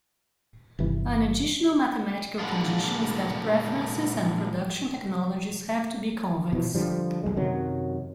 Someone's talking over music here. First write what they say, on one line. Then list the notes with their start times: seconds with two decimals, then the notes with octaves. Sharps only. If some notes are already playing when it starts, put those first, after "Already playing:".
An additional mathematical condition is that preferences and production technologies have to be convex.
0.79 G1 C3 E3
2.39 A#2 D3 G#3 B3 D4 F4
6.52 B2 E3 F3
6.75 D3 F3 G3
7.23 B1 G2 G3 G#3
7.37 F#2 C3 D#3 F#3